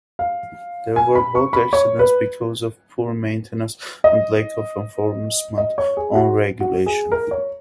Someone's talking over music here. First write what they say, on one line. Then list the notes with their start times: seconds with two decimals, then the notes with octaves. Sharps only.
There were boat accidents because of poor maintenance and lack of enforcement on regulation.
0.19 F5
0.96 G#5
1.15 B5
1.35 C#6
1.53 B5
1.73 C#5
1.99 B4
4.04 D#5
5.58 D#5
5.78 C#5
5.97 G#4
6.15 F#4
6.60 F#4
6.86 G#4
7.12 A#4
7.31 C#5